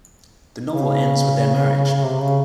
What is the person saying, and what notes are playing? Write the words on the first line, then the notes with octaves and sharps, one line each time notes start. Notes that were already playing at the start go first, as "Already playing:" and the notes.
The novel ends with their marriage.
C#3
C3
C#3